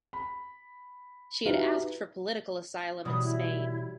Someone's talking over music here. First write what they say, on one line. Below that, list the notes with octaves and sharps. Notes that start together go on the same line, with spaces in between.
She had asked for political asylum in Spain.
B5
D#4 E4 F#4 G4 B4 F5
B2 E3 F#3 G3 B5 D#6
E4